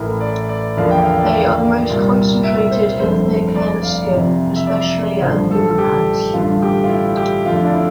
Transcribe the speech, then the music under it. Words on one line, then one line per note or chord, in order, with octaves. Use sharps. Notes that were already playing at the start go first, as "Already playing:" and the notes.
They are most concentrated in thick hairless skin, especially at the finger pads.
Already playing: A1 A2 E3 A3 A#4
D5
D5
E2 D3 F3 A#3 F5
G5
F5
D5
F5
C2 A#2 G3 A#3
E5
C5
G1 F2 D3 A3 C5
D5
F5
F2 C3 E3
E5
D5
A1 G2 D3 F3 A3 C5
A4
G4
A1 G2 D3 A3 F4
G4
F4
E4
G4
F2 D3 A3 F4
E4
D4
E4